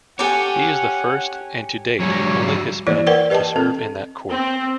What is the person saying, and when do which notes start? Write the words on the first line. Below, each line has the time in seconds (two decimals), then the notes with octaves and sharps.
He is the first and to date only Hispanic to serve in that court.
0.19 G4 A4 C#5 F#5 G#5 D6
2.00 G#2 D3 F#3 G3 C#5
2.87 E3 A#3 E4 C5 D5
3.07 A#4 B4 D5 F#5 G5
3.30 G4 B4 D#5 G5 A5
3.56 C4 A4
4.32 C4